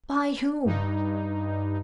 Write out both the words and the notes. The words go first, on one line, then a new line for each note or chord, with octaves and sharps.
"By whom?"
G2 D#4